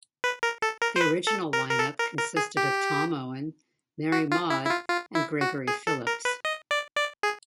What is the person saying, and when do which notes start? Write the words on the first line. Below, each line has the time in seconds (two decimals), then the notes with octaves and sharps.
The original lineup consisted of Tom Owen, Mary Maude and Gregory Phillips.
0.24 B4
0.43 A#4
0.62 A4
0.82 A#4
0.96 C5
1.01 B4
1.27 A4
1.53 A#4
1.69 A#4
1.79 A4
1.99 A#4
2.18 A#4
2.37 G#4
2.57 G4
4.12 F#4
4.31 F4
4.50 E4
4.65 E4
4.70 F4
4.89 F4
5.15 E4
5.41 F#4
5.68 G#4
5.87 A4
6.07 A#4
6.25 B4
6.45 D#5
6.71 D5
6.96 D5
7.23 G#4